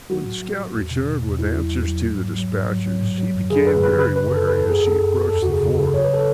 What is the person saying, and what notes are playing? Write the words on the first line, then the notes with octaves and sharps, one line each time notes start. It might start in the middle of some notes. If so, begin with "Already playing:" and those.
When the scout returned with answers to the dispatches he became very wary as he approached the ford.
F#3 F#4
A2
F#3
A2
E2
B2
B2
E2
E2 E4
F#3
E2
F#3
G#2
F#3
F#3
G#2
F#3
F#3
A2
F#3
F#2
D3 G#4
F#2 B4
F#2 B4
C#3 B4
F#2 B4
F#2 A4
F#2 B4
A4
F#2
G#4
F#2 A4
F#2
F#2
E2 A4
C#3 F#4
G#4
C#3
A4
C#3
F#3 C#5
B4
A4